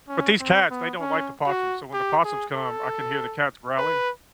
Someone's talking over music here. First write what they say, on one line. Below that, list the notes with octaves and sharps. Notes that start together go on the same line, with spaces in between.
But these cats, they don't like the possums, so when the possums come, I can hear the cats growling
C#4
C4
B3
C#4
F#4
G4
G#4
A4
B4